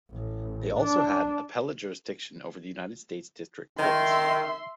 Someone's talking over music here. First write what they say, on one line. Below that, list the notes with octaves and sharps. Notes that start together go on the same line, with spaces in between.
They also had appellate jurisdiction over the United States district courts.
A1
D4
D#3 E5 C6